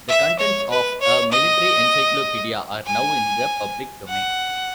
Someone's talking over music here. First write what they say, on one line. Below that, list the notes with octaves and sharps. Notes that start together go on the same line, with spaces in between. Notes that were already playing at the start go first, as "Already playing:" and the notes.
The contents of "A Military Encyclopedia" are now in the public domain.
E5
C#5
B4
C#5
D#5
G#5
F#5